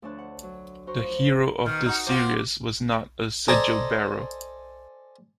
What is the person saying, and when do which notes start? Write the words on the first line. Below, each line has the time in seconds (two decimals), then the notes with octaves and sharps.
The hero of this series was not a Sigil-Bearer.
0.02 D2 F3 D4 C#5 A5 F#6
0.18 F#5
0.43 F#3
0.87 F#4 C5 A#5 C#6
1.03 F3
1.66 B2 D#3 F6
1.86 D#4 F#4
2.07 C4 F4 F#4 D6
3.48 A4 C5 D5 D#5 G#5 A#5